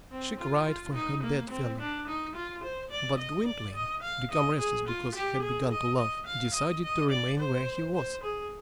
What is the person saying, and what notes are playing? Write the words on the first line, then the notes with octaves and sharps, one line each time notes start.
She cried for her bed-fellow; but Gwynplaine, become restless because he had begun to love, decided to remain where he was.
C4
F4
F4
D#4
A#3
C4
D4
D#4
F4
C5
D5
D#5
D5
D#5
F5
D#5
G#4
F4
G4
G#4
D#5
D#5
F5
D#5
D#5
D5
C5
C5
G#4